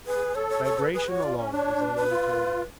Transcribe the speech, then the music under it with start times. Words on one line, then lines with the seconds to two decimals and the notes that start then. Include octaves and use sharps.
Bagration alone is a military man.
0.06 G#4 B4
0.35 A4 C#5
0.50 C#5
0.64 C#5
0.79 B4
0.94 G#4 B4
1.08 F#4 C#5
1.22 F4 D5
1.38 C#4
1.52 D4 C#5
1.82 B4
1.96 B4
2.10 F4